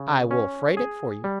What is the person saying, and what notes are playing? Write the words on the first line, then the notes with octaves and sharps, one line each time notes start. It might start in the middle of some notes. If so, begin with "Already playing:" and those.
"I will freight it for you."
Already playing: C#3
C#4
G#4
G3